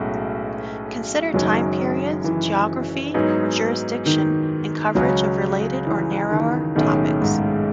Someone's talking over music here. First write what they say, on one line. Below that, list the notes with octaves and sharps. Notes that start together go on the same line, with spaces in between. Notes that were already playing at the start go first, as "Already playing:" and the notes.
Consider time periods, geography or jurisdiction and coverage of related or narrower topics.
Already playing: B1 A2 G#3 C#4 F#4
F#1 F#2 D#3 F#3 G#3 C#4
E3
G#2 F#3 B3 D#4 G#4
D#3
C#2 C#3 F#3 G#3 C#4
E3
D#3
B1 A2 D#3 G#3 C#4
G#2